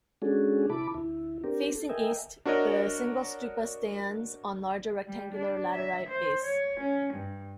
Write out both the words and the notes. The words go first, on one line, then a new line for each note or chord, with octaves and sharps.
Facing east, the single stupa stands on large rectangular laterite base.
G#3 C#4 D4 F#4 G#4 A4
C3 E4 A5 B5 D6
D2 E4
C4 D4 G4 A#4
A4
A#4 D#5 E5 G5 G#5
D4 F#4 A#4 C#5 D#5
G3
D4
E5
C5
C#5
C#4
G2